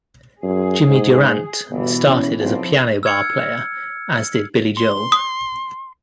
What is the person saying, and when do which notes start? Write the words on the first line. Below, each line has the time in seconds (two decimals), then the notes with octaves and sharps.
Jimmy Durante started as a piano bar player, as did Billy Joel.
0.43 F#2 G#4
0.88 G#2
1.71 G1 B2 E3
2.05 C#4
2.39 B1 E3 F3 C4
3.03 E6 F6 G#6 C#7
4.77 C6
5.12 D#6